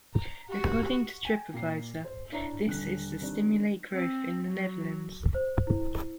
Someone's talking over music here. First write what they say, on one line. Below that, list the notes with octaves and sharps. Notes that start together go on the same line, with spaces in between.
According to TripAdvisor, this is to stimulate growth in The Netherlands.
A#5
F#4 G4
G5 G#5
A#2 C7
C5
D4 E4 C#5 E5 A#5
D#1 D3 F#6
D#3 G3 C4 D4
C4
F#3
C5
E4